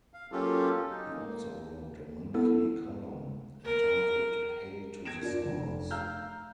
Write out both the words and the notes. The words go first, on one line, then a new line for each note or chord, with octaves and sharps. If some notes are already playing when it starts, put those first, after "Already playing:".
He also wrote a monthly column entitled Hale to the Stars.
F5
F#3 A#3 C#4 F4 G4 A4
D#4
A#3
B3 E4 A4
A#4
G#6 A#6 D7 E7
D4 F4 A#4
F1
F5 A#5 E6 F6 G6